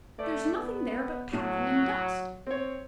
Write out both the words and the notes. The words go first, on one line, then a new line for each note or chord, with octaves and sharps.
There's nothing there but packing and dust.'
A3 D5
B3
A2 F#3
C4 C#5